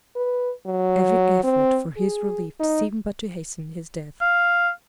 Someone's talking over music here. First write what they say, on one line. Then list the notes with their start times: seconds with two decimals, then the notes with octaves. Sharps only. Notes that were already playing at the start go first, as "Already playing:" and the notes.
Every effort for his relief seemed but to hasten his death.
0.16 B4
0.66 F#3
1.44 C4
1.97 G#4
2.60 D#4
4.21 F5